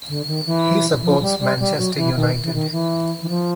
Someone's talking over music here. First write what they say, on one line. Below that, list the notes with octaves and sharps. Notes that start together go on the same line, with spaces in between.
He supports Manchester United.
D3
D#3
E3
F3
G3
G3
G3
F#3
E3
D#3
E3
D#3
E3
E3
F3